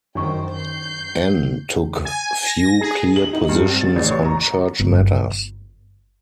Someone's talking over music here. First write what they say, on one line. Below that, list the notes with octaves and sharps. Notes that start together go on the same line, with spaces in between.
Anne took few clear positions on church matters.
F#2 D#3 D4 C5 G5 C#6
G6 C7
G#5
A#6
G#4
F#7
D#4
G2
C4
A6
A1
C#6
A#5
G1